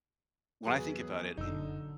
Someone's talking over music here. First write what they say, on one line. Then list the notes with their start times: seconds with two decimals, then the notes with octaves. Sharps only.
when I think about it, uh y you
0.67 E2 F#3 G#4 B4
1.38 F#1 A#2 D3 F#3 D#4 E6